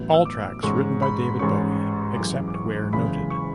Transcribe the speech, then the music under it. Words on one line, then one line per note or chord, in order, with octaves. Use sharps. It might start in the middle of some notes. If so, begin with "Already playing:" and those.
All tracks written by David Bowie, except where noted.
Already playing: A1 A2 F#3 B3
E6
D6
A1 G#2 G#3 C#4 C#6
B5
A1 G#2 G#3 C#4 C#6
F#2 E3 G#3 D6
D6
C#6
F#1 E2 C#3 E3 G#3 B5
C#6